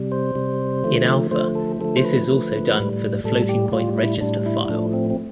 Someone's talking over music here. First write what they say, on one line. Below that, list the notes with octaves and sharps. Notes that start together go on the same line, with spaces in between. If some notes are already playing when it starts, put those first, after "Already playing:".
In Alpha this is also done for the floating-point register file.
Already playing: C3 G3
C5
C3 G3
D3 F3 A3
D3 F3 A3 C5
A4
D3 F3 A3 A4
C5
B4
D3 F3 A3
A2 G3
A2 G3 A4
G4
A2 G3 F4
E4
A2 G3 D4
E4
E4
A2 F3 A3 D4
C4
C4